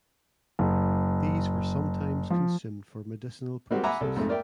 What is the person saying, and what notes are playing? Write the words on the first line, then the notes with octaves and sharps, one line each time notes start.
These were sometimes consumed for medicinal purposes.
F#1
F3
G3 G#3 A#3 C4 F#4 G4
E5 F#5 G#5 A#5 B5 D6
C2 A4
F2 G#2 A3
A#4 D5 E5 G5